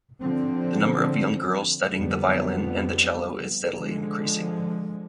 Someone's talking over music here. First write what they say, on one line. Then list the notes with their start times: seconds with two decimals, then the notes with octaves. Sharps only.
The number of young girls studying the violin and the cello is steadily increasing.
0.21 D3 F3 C4
1.98 F2 D3 G3 B3
3.76 D3 F3 G#3